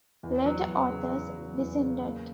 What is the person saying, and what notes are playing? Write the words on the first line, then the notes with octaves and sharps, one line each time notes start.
Later authors dissented.
E2
F#3
E2
C#3
E2
F#3
E2
C#3
A#3